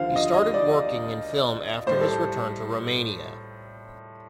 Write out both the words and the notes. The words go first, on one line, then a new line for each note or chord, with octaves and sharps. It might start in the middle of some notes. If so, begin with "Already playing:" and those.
He started working in film after his return to Romania.
Already playing: D#2 D3 F3 C5 F5
D#5
D#5
D5
A2 G3 C5
A4